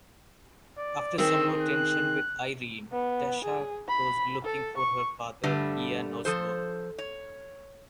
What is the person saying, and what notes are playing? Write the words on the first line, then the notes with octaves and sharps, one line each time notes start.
After some more tension with Irene, Tasha goes looking for her father, Ian Osbourne.
D5
D#3 C4 G#4 E6
F#6
B3
G#4
B5
A4
C#6
G2 D3 G3 A3
F3 A4 C5
C#5